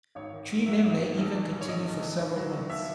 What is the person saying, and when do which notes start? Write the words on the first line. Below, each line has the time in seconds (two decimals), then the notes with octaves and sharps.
Treatment may even continue for several months.
0.15 G#1 C#5
0.32 D#3
0.50 G#2
0.66 F#3 E5
0.84 G#1
1.01 D#3
1.17 A#1
1.35 E3
1.52 G#2
1.61 C#5
1.68 A#1 D#5
1.86 A#1
2.02 E3
2.19 D#2
2.36 F#3
2.52 D#3
2.70 D#2 E5